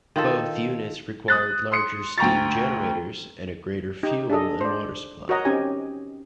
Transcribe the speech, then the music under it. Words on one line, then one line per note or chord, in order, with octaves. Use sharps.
Both units required larger steam generators, and a greater fuel and water supply.
D#3 F4 A4
D#6 F#6 A6
C6 D#6 C#7
D2 G5 A#5 C#6 A6
D#4 G4
D4 G#4 A4 D#5
C5 D5
F#4 A#4 C#5 D#5 F#5 A#5
C4 C#4 D#4 G4 G#5